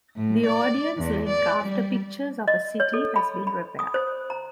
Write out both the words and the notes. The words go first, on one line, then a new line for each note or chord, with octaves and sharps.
The audience link after "Pictures of a City" has been repaired.
A2
D5
E2
D5
G3
D#5
C#5
A4
B5
B5
D#6
C5
A#5